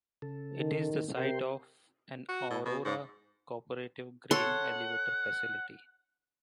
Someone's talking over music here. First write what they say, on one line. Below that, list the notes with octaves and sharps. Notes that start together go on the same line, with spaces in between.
It is the site of an Aurora Cooperative grain elevator facility.
C#3 A4
D#3
C3 A#4 G5 C6
F#4
A2
B2
G#2
A4 C#5 F#5 C6